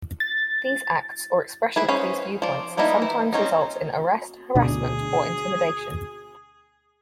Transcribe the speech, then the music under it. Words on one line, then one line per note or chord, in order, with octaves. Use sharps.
These acts or expression of these viewpoints sometimes results in arrest, harassment, or intimidation.
A6
E4 G#4 B4
C#4 G#4 B4 C5
F3 D5
G3 A#3 B3 D#4 E4
E3
C4 C#4 D#4
D2 B2 D4 G#4